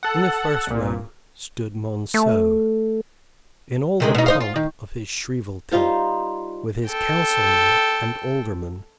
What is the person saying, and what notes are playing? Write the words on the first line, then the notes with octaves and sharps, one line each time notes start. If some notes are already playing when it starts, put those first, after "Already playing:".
In the first row stood Monceux, in all the pomp of his shrievalty, with his councilmen and aldermen.
A4 F#5
C2 A#2
A3
C3 D#3 G#3
B2 D#4
D#4 C5 F5
F4
D#3
G3 D#4 F4 C5
A4 G5